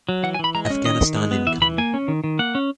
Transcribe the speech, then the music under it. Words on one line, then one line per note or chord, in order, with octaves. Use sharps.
Afghanistan income.
F#3
E3 F#5
G#5
E3 B5
G#3 A#5
D#5
C#4
D#3 D#5
D#3
G#3
B3
E3 E5
E3 B5
A#3 G#5
C#4
D#3
D#3
A#3 F#5
C#4